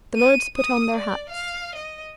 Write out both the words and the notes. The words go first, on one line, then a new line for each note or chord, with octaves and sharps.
The lords put on their hats.
D#7
D#6
D5
F5
D#5